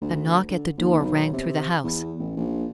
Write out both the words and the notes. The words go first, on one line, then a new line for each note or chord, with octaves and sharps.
A knock at the door rang through the house.
D2
D3
D#2
B1
C3
E2
A1
A#1